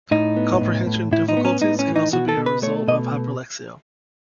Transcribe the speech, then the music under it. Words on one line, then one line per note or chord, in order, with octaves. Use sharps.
Comprehension difficulties can also be a result of hyperlexia.
A2 D#4
B3
A2
A2
A2 E4
D#4
B3
C#4
A2 D#4
C#4
E3
D#4
B2 F#4
A4
B2
B4
A3 C#5
B2 D#5